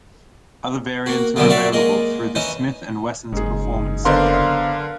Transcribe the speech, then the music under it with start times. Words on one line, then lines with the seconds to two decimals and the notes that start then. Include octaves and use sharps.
Other variants are available through the Smith and Wesson's Performance Center.
1.06 A#3 F#4
1.36 F#2 B2 D3 A3 A#3
1.50 F#4 C#5 D5 E5 F5
1.73 G#3 A#3 D#5
2.35 E3 C#4 D#4
3.32 F#1 G#2 G#4
4.05 D3 B3 A#4 C5 D5 F5 C6